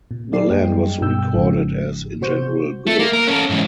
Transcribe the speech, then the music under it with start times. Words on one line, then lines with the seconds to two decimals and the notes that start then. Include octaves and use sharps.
The land was recorded as "in general good".
0.11 A#2
0.32 F#3 A#3 G#4 D5 C7
0.50 F#2 G3 G#4 D#5 G5
1.01 G2 B2 G5 E6 G6
1.34 G#1 G#2 C#3 F3
2.21 C3 F#4 C5 C#6 G6
2.87 A3
2.99 A#3
3.13 A#4
3.27 C#4 A4
3.50 G#2 E3